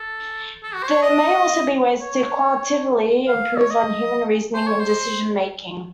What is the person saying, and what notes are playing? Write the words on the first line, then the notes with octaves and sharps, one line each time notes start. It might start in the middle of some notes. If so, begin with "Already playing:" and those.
There may also be ways to "qualitatively" improve on human reasoning and decision-making.
Already playing: A4
A4
F#4
C5
C#5
D#5
C#5
F5
C#5
D#5
C5
C#5
C5